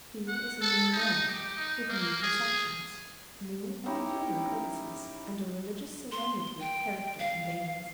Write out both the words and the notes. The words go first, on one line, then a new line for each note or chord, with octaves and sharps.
He is a new man, with new perceptions, new and keener purposes, and a religious solemnity of character and aims.
F#5
A4
D#4
G4
D#4
A#3
G#4
C#4 D#4 E4 G4
C6
G5
F5